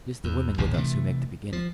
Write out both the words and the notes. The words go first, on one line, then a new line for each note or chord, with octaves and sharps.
It is the women with us who make the beginning.
E2
A1 D#2 A2 C#3
C3 E3 A3
F3